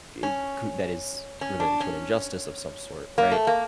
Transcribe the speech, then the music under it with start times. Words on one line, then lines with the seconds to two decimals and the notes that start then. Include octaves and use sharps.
it cou that is related to an injustice of some sort, right?
0.23 C#4
1.41 C#4
1.60 D4
1.80 C#4
3.18 A#3
3.32 A3
3.47 A#3